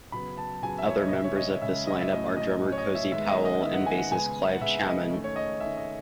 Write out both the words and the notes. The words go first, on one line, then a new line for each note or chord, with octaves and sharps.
Other members of this line up are drummer Cozy Powell and bassist Clive Chaman.
C#3 F#3 B3 B5
A5
C#3 F#3 B3 G#5
E5
C#5
D#5
D#5
C#3 G#3 C#4 E5
C#5
D#5
E5
C#3 G#3 C#4 E5
D#5
E5
A2 F#3 C#4 D#5
D#5
A2 F#3 C#4
C#5
D#5
E5
D#3 G#3 B3 E5
D#5
D#5
D#3 G#3 B3 E5
F#5
G#5
F#5
C#3 G#3 B3 G#5
F#5
C#3 G#3 B3 E5
D#5
D#3 A3 C#4
C#5
D#5
D#3 A3 C#4 E5
D#5